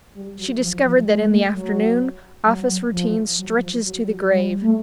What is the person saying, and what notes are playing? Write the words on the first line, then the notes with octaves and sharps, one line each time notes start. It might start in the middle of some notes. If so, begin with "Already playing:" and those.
She discovered that in the afternoon, office routine stretches to the grave.
G3
F#3
F3
F3
G#3
A3
F#3
F#3
F3
F#3
F3
F#3
F#3
G3
A3